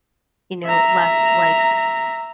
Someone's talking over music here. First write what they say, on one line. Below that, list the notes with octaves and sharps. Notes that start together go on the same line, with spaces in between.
you know, less, like,
E5 A#5